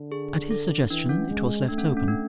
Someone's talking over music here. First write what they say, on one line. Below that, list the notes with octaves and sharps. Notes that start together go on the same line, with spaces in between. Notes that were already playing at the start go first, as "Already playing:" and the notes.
At his suggestion it was left open.
Already playing: D3
G#4
A4
E3 D4
C#4
G#3
A3 D4
C#4
C#4
D4